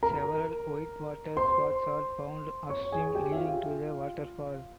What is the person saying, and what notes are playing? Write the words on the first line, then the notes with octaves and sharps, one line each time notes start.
Several white water spots are found upstream leading to the waterfall.
A#4 A#5
C5 C6
C#5 C#6
G#4 G#5
G4 G5
E5
F4 F5